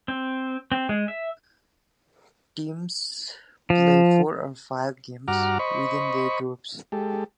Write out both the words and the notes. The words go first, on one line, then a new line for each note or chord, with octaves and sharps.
Teams play four or five games within their group.
C4
C4
G#3
E5
F3
G2 F#4 F#5 A#5 D6 F6
C5 D#5 B5 C#6
G#3 G4 A4